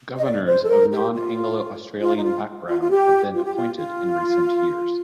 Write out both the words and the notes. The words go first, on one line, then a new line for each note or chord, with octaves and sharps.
Governors of non-Anglo-Australian background have been appointed in recent years.
D#5
D5
C5
A4
A#4
G4
F4
F4
D#4
F4
F4
F4
G4
F4
G4
F4
F4